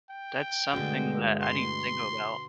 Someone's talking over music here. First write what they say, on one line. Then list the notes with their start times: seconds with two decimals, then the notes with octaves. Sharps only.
That's something that I didn't even think about.
0.10 G5
0.73 G2 B2 D3 G#3 A3
1.43 C6